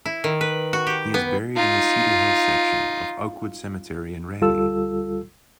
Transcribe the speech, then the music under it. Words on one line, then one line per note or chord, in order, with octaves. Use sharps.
He is buried in the Cedar Hill Section of Oakwood Cemetery in Raleigh.
E4
D#3
B4
F#4
G4
B3
D#4 F4
D2 G3 F4 A4 E6